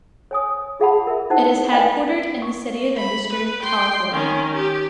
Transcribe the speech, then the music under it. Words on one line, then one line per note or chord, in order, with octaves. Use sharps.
It is headquartered in the City of Industry, California.
C#5 G#5 D#6
F4 G#4 F5 F#5 A5 B5
A#4 E5
D#4 E4 C5 F#5 A5
D5 D#5 G5 G#5 B5
C#6
B5
B4
G5 C6
D#3 C#4
G4